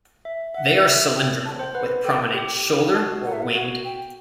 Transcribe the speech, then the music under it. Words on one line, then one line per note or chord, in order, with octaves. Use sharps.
They are cylindrical, with prominent shoulder or winged.
E5
E5 F#5
E5
G5
A5
C5 G5
B4 F#5
A4 G5
G4
F#4 A5
F#5
E5
F#5
F#4 F#5
G5